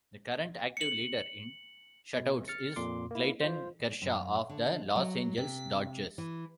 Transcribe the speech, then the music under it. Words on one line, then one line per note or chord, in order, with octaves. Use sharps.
The current active leader in shutouts is Clayton Kershaw of the Los Angeles Dodgers.
C#7 F#7
B2
F6 A6 C#7
F2 A#2 C6 D6
A#3 E4
F4 C5
F#2
D3
F#3
C3
E3